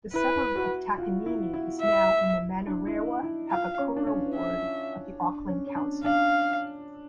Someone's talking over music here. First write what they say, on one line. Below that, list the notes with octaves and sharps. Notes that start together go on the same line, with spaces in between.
The suburb of Takanini is now in the Manurewa-Papakura Ward of the Auckland Council.
E4 B4
F#4
F4
E4
E4
E5
D4
E4
D#4
E4
F4 F5
C#4
D4
C#4
E5
D4
C#4
C#4
D4
D4 F5